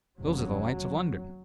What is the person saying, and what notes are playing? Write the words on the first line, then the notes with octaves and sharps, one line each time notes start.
Those are the lights of London.'
F1 D#2 C#3 F#3